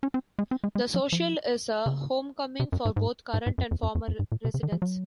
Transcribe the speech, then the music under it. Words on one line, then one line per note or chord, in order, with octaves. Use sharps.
"The Social" is a homecoming for both current and former residents.
C#4
C4
G#3
C4
G#3
G#3
F#3
F3
C#3
C3
F#2
G#2
G#2
G#2
G#2
F#2
F2
F#2
F2
F#2
G#2
A#2
C3
C#3
D#3
F3
F#3